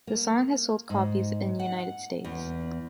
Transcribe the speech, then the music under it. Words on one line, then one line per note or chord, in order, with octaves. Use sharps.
The song has sold copies in United States.
A#3
G#2
F#5
E2